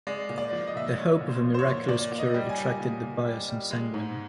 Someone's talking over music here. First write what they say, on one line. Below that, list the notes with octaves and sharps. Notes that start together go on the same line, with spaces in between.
The hope of a miraculous cure attracted the pious and sanguine.
G#3 D5
A#2
D5
F3
D#5
A#2 E5
D#5
G#3 C#5
A#2
C5
F3
C5
C#5
A#2
A#2 D5
A#2
D#5
G3
G#5
G3
A#2
A#2
G3
G3
G#3
G#2